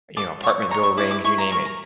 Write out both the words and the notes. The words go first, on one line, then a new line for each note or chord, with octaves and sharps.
you know, apartment buildings, you name it.
A4 D6
C#5 C#6
C#5 A#5
C#6
E4 D6
D6
E4 C#6
A#5
A#4 C#6
A#5